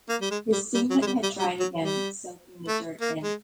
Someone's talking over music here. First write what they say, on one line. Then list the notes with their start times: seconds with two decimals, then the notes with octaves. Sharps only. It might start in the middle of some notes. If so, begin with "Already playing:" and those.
His singlet had dried again, soaking the dirt in.
0.09 A#3
0.21 G3
0.31 G#3
0.52 G3
0.74 G3
0.90 F#3
1.02 G#3
1.06 G3
1.23 G3
1.39 G3
1.60 F#3
1.82 G3
2.68 A3
3.01 A#3
3.23 G#3